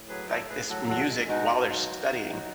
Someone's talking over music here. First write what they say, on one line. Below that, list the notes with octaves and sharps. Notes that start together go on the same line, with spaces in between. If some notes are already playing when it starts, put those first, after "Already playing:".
like, this music while they're studying.
Already playing: A2
F#3 G#4 B4
A2 A4 C#5
A2 G#4 B4
G#4
F#3 F#4 A4
E2 F#4 A4
G#3
B2 D#4 F#4
B2
F#3
D#3
E2
F#3